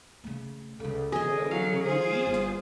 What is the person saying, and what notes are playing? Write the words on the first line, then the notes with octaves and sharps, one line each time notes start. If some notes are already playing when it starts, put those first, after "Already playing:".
"Well, will you eat?"
C#3 A3
C#2 C#3 A4
D3 E3 G#4 D#5
F#3 A4 F5
F4 G#4 C5
G1 E4